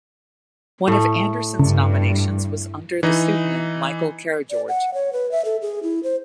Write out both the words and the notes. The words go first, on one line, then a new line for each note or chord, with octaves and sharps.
One of Anderson's nominations was under the pseudonym Michael Karageorge.
A2 A3
G2 C#3
E3 D#4 D#5
D5
F#5
C#5
B4
E5
A4
G#4
E4
C5